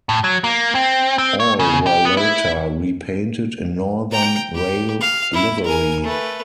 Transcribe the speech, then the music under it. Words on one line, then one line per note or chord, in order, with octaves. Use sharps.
All were later repainted in Northern Rail livery.
A2
F#3
A#3
C4
C4
C#5
C#3
G4
B3
E4
G5 A#5
G4
F5
E4
A#4 G#5
A3 B4